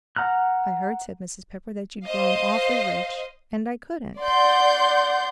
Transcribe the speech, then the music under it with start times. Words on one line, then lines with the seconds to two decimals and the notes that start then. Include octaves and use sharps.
"I heard," said Mrs. Pepper, "that you'd grown awfully rich, and I couldn't."
0.16 F#5 A#5 F6 F#6
2.04 C5 D#5 F5
4.20 D5 F#5 C6 G6